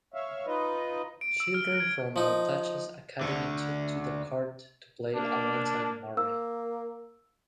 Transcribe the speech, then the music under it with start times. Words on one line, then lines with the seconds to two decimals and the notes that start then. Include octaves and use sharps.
Children from Baltacha's academy took to the court to play alongside Murray.
0.14 C#5 E5 F5
0.46 D#4 F4 B4 D#5
1.21 D7
1.40 E6
1.54 F6
1.67 D7
1.80 G#6
2.16 F3 D#4
3.21 D2 D3
5.16 A#3 D4
6.17 A#3 E6